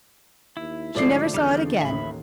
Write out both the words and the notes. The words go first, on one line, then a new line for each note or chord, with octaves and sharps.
She never saw it again.
D#2 E4
G#2 D3 F3 A3 D5 C7
E2 D3 G3 F6 G6
A1 D#2 E5 B5